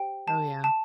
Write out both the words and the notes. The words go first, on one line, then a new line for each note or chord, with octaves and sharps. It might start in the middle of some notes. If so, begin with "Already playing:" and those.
Oh, yeah.
Already playing: G4 C5 G5
A5
A5